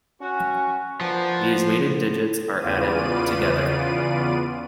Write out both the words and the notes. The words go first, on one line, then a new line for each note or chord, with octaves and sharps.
These weighted digits are added together.
C#4 F#4
F3 A#3 B3 D4 C5
E2 C#3 B3 F4 D5 D#7